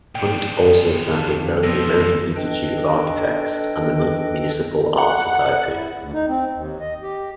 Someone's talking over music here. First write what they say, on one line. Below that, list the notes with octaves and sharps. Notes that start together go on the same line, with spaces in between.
Hunt also founded both the American Institute of Architects and the Municipal Art Society.
A#2 D3 G5
F2 A4
C#2 B2 F3 A4
D4 A4 B4 D#5 G5
F#5
E4
D2
D#4
C4
D#2
D#5
G4